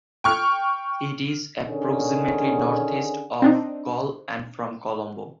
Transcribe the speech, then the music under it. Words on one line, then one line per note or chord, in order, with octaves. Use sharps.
It is approximately northeast of Galle and from Colombo.
G5 C#6 F6
D3 D#3 C#4 G#4
C4 D4 D#4